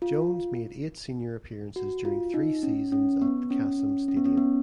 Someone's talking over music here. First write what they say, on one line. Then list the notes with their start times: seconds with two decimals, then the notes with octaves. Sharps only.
Jones made eight senior appearances during three seasons at the Kassam Stadium.
0.02 F4
1.76 F#4
2.05 F4
2.34 D#4
2.63 C#4
2.92 C#4
3.22 B3
3.50 C#4
3.79 C#4
4.08 C#4
4.17 B3
4.25 C#4
4.38 B3